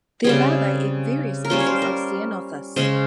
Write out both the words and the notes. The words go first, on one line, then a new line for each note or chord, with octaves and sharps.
Their larvae eat various species of "Ceanothus".
C#3 G3 C4 G#4
A#4
G3 C#4 F4 C5
C#5
C5
A#4
C#3 G#3 C#4 C5